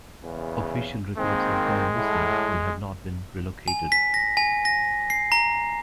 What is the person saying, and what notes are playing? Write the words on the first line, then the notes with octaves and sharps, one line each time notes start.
Official records have gone missing and have not been relocated.
E2 C#3
D#3 G#3 A#3 C4
A2
G#5
B6
A#6
G#5
A#6
C7
A#5